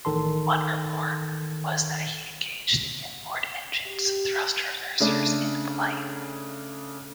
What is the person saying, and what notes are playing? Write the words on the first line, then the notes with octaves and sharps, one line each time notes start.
One report was that he engaged the inboard engines' thrust-reversers in flight.
A1 D#3 A4 A5 C6
G4
C#3 A3 D4